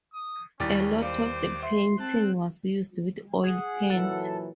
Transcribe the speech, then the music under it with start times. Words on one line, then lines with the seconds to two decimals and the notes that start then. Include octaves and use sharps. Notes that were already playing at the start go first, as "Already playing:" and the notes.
A lot of the painting was used with oil paint.
0.14 D#6
0.60 D#2 G3 C#4 E4 G5 D6 A6
1.02 C5 D5 F5 D6
1.62 E5 F#5 C6
1.99 C4 A5 F#6
3.44 G#4 F#5
3.90 A#2 E3 F#3 A4